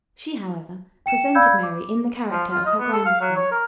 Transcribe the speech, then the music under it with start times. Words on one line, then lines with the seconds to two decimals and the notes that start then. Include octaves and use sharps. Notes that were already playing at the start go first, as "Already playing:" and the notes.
She, however, presented Mary in the character of her grandson.
1.06 G5 C#7 E7
1.35 D5 F5 B5 E6 G6 G#6
1.63 D6
2.31 F3
2.51 F4
2.65 D#5
2.79 B3
2.92 A4
3.05 F5
3.21 F#3
3.36 C#5
3.51 A#4